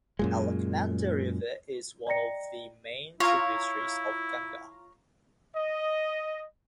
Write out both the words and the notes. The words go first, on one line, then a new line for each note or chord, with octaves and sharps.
Alaknanda river is one of the main tributaries of Ganga.
F#2 A#2 G#3
D5 D#5 G5 A#5 A#6 C#7
E4 F4 C#5 F5 A#5
D#5